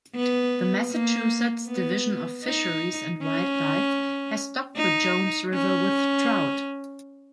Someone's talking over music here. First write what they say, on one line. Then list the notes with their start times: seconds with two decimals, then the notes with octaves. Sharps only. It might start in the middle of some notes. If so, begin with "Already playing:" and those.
The Massachusetts Division of Fisheries and Wildlife has stocked the Jones River with trout.
0.15 B3
0.91 A#3
1.68 B3
2.45 D#4
3.23 C#4
4.76 D#4
5.54 C#4